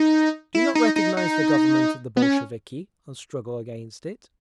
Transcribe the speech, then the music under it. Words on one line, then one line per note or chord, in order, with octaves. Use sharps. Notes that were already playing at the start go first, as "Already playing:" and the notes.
Do not recognise the Government of the Bolsheviki, and struggle against it.
Already playing: D#4
E4
D#4
D#4
D#4
B3
C#4